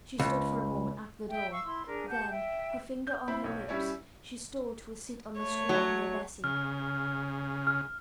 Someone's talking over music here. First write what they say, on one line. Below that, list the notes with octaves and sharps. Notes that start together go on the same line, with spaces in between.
She stood for a moment at the door--then, her finger on her lips, she stole to a seat on the squab near Bessy.
C#2
E5 G5
F5 C#6 E6
E4 C6
D4 G#4 A#4
G4 F#5 A5 G6
E5 G5
G6
C4 E4 B5
B1 C#5
G3 C#4 E4 C#5 D5
A3 C#5
F#3
C#3 F6
F6